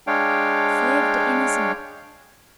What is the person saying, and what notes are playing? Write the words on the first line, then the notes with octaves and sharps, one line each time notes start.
Save the innocent!
G#3 D4 C#5 F5 G5